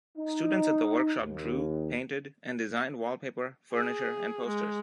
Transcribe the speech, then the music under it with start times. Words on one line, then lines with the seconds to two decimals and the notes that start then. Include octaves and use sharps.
Students at the workshop drew, painted and designed wallpaper, furniture and posters.
0.17 D#4
1.20 D#2
3.72 G#4
4.47 G#3